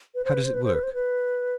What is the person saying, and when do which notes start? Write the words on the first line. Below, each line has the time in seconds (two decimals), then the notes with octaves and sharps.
"How does it work?"
0.15 B4
0.25 C5
0.34 B4
0.44 C5
0.54 B4
0.64 C5
0.74 B4
0.83 C5
0.94 B4